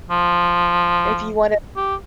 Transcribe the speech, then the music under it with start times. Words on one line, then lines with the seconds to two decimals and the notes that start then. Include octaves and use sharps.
if you want a
0.10 F3
1.76 G4